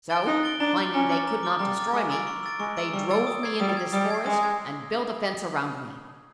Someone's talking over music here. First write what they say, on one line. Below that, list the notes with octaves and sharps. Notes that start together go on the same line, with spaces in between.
So, finding they could not destroy me, they drove me into this forest and built a fence around me.
A6 D7 G7
D#4 F#6
A6 D7 G7
D4 A#5
D6 F6 A6
C#4 A#5
D6 F6 A6
A#5
D6 F6 A6
G3 A#5
D6 F6 A6
G#3 C#6
E6 A6 D7
C#6
E6 A6 D7
G#3 C#6
E6 A6 D7
G3 C#6
E6 A6 D7
D#6
G#6 C7
G3 D#6
G#6 C7
G3 D#6
G#6 C7
G#3 D#6
G#6